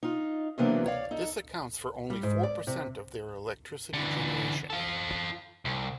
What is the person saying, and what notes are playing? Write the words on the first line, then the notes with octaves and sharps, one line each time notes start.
This accounts for only four percent of their electricity generation.
D#4 F4
C3 E3 F#3 A#3 B3 D4
C#5 D5 F5
D#4 A4
G3
G#2
D5
C3
D3 E3
F4 A4
C2